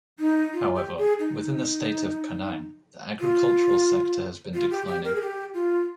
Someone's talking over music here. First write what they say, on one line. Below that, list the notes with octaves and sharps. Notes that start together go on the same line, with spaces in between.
However, within the State of Penang, the agricultural sector has been declining.
D#4
F4
G4
G#4
D#4
F4
F4
G4
G4
A#4
G#4
G4
F4